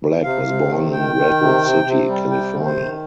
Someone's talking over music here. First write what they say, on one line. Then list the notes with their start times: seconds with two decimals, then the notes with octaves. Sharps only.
Black was born in Redwood City, California.
0.22 C3 F5
0.45 C3
0.68 D#3
0.92 D#3 G5
1.16 D#3
1.38 C3
1.62 C3
1.84 C3
2.07 G3
2.31 C3 G5
2.54 D#3
2.65 C5
2.76 D#3